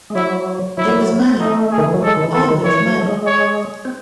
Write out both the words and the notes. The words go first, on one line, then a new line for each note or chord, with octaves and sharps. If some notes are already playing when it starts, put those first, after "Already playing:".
It was money — always money.
G#3
F#3 E4
F#3 E4
F#3
C4
A3 D#4
G#4
D#3
E3
F#3
G#3 A4
D#3
E3
A4
D#3
E3 C#5
F#3
A3
G#3
C#5
C4